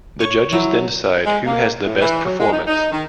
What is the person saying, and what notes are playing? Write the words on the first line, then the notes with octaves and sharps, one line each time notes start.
The judges then decide who has the best performance.
C#5
F#3 E4
G#3
A#3
A2
E3
F#3
G#3
D#4
D#4
D#3